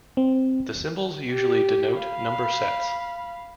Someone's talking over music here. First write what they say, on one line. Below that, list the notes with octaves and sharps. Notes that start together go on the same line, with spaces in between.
The symbols usually denote number sets.
C4
G4
F5 B5